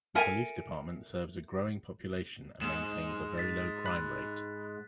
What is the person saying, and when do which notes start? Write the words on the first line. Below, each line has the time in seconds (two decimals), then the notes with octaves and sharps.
The Police department serves a growing population and maintains a very low crime rate.
0.15 A4 A#4 E5 G#5
2.61 G#2 E7
3.38 A6 B6
3.86 B5 F#6